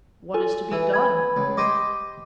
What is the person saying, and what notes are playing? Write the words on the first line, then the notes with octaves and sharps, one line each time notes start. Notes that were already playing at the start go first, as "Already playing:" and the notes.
What is to be done?
F4 A4 G#5
E3
B5 G#6
C#2
G4 C5 D#5 D6